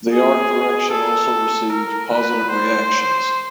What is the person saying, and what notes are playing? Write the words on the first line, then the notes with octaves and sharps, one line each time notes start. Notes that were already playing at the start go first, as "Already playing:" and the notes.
The art direction also received positive reactions.
G#4
A4
A#4
B4
C5